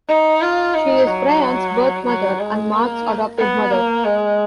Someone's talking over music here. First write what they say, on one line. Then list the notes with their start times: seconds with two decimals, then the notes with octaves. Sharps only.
She is Bryon's birth mother, and Mark's adoptive mother.
0.08 D#4
0.42 F4
0.74 D#4
1.07 F#3
2.06 F#3
2.40 G#3
2.72 A#3
3.38 B3
3.72 A#3
4.04 G#3